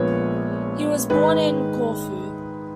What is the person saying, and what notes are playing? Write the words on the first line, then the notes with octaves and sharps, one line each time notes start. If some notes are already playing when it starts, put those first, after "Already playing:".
He was born in Corfu.
Already playing: A#1 A#2 F3 G#3 B3 B4 C#5
G#2 D#3 G#3 B4